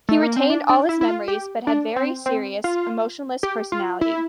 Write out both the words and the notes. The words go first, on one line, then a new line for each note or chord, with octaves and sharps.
He retained all his memories but had a very serious, emotionless personality.
A3
A#3
C4
D4
D4
E4
E4
F4
G4
D4
C4
C4
F4
G4
F4
E4